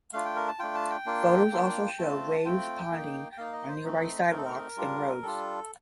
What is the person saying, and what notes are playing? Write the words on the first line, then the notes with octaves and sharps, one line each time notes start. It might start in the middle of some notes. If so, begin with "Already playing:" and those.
Photos also showed waves ponding on nearby sidewalks and roads.
A3 D4 F4 F5
G5
A#4
A5
A3 D4 F4 G5
A5
G5
A#3 D4 F4
A#3 D4 F4
A3 C4 F4 A5
A3 C4 F4 G5
A#3 D#4
G5
A#3 D#4 F5
D#5
C5
A3 C4 D#4
A3 C4 D#4 A#4
A4
A#4
G3 D4 F4
G3 D4 F4 A4